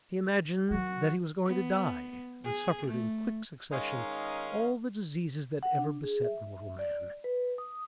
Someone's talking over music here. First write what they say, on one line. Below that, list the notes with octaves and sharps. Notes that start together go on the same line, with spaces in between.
He imagined that he was going to die; and suffered in quick succession all the diseases that ever beset mortal man.
D#3 F#3 F#4
B3
G#4
A3
D#3 G#3 C#4 D#4 D#5 F5
F#5
D4
G#4
E5
D5
B4
D#6